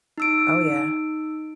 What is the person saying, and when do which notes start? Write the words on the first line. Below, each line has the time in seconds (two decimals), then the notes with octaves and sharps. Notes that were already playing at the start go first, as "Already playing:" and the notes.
Oh, yeah.
0.18 D#4 E6 D7